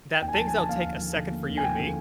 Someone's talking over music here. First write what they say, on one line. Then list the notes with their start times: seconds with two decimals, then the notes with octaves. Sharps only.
that things that'll take a second for you and me,
0.21 D#2 G5
0.28 G#5
0.34 A5
0.38 F3
0.48 G#5
0.54 D3 A5
0.69 A#3 F5
0.84 D#2
1.00 F3
1.16 D3
1.31 A#3
1.48 D#2
1.57 G#5
1.63 F3 G5
1.79 D3